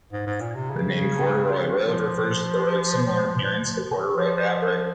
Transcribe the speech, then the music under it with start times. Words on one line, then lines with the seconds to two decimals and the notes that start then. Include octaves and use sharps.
The name "corduroy road" refers to the road's similar appearance to corduroy fabric.
0.12 G#2
0.26 G#2
0.41 A#2
0.55 C3
0.70 C#3
1.85 F3
4.15 F3